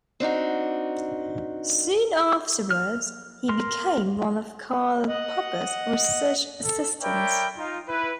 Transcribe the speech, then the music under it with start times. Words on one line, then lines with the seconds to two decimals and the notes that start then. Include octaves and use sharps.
Soon afterwards he became one of Karl Popper's research assistants.
0.20 C4 D4 D#4 F#4
2.70 F6
3.49 A#4 C6
5.08 D#5 F#5
6.63 A4
7.01 A#4 C#5 D5 E5 G5 B5
7.57 D#4 F4
7.88 E4 B4